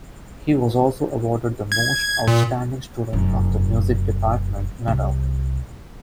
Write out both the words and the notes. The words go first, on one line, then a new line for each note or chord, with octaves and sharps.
He was also awarded "The Most Outstanding Student of the Music Department" medal.
G#6
A#2
F1 F#2
C2